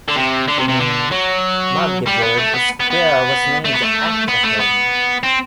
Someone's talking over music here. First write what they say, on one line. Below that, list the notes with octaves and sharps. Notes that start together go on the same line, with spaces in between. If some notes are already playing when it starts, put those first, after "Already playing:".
In Magdeburg a square was named after him.
D3
C3
D3
C3
C3
D3
F#3
G3
B3
A3
B3
B3
B3
A3
B3
A3
B3
A3
B3
C4